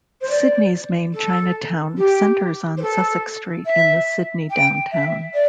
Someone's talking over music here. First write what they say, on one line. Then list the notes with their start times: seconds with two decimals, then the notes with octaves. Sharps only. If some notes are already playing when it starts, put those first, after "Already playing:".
Sydney's main Chinatown centers on Sussex Street in the Sydney downtown.
0.21 C5
0.30 D5
1.14 A4
1.98 G4
2.77 C5
2.82 A4
3.66 E5
4.50 G5
4.91 E5
5.33 D5